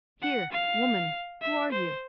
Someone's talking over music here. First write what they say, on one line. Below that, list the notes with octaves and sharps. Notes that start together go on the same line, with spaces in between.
Here! woman, who are you?
F#5
F5
E5
C5